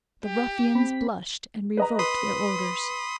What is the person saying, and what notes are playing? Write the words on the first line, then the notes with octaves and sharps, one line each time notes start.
The ruffians blushed and revoked their orders.
G4
C4 B5
B4 D#5 A#5
B4 B5 C6 D#6